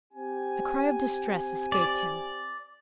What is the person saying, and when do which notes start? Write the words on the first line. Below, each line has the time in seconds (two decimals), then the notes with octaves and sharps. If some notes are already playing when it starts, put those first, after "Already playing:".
A cry of distress escaped him.
0.14 C4 G4 G#5
1.72 D5